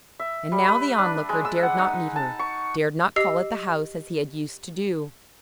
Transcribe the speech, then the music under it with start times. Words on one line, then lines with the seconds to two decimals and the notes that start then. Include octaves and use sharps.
And now the Onlooker dared not meet her--dared not call at the house as he had used to do.
0.20 E5
0.52 G3
0.68 B4
0.99 D4
1.29 G#3
1.45 E6
1.63 F#5
1.79 D#4
2.16 A5
2.39 C#6
3.16 G4 D#5 E6 C7